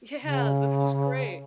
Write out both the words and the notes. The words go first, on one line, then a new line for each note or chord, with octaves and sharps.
Yeah, this was great
C#3